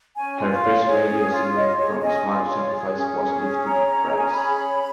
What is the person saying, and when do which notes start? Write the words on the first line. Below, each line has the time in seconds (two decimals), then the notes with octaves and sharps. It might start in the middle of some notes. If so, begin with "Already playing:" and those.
Her first radio single from "Small Sacrifice" was "Live to Praise".
0.15 C#4 G#5
0.39 F4
0.51 F5
0.63 C#5
0.85 G#4 C#5
1.09 C#4
1.32 F4
1.55 C#5 D#5
1.78 G#4 C#5
2.01 C#4 D#5
2.25 F4
2.49 C#5
2.71 G#4
2.94 C#4
3.18 G#4
3.41 C#4
3.65 C#5 A#5
3.88 C#4
4.10 G#4
4.18 G#5
4.26 A#5
4.33 C#4 B5
4.57 C#5